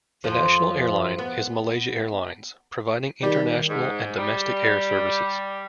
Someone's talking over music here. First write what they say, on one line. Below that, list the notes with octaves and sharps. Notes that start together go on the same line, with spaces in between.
The national airline is Malaysia Airlines, providing international and domestic air services.
F2 F3
B3
D#3 G3
G#2
G3